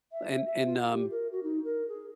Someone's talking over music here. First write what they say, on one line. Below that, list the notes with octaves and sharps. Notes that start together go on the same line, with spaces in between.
and and, um,
E5
E5
F4
G4
A#4
F#4
D#4
A#4
G#4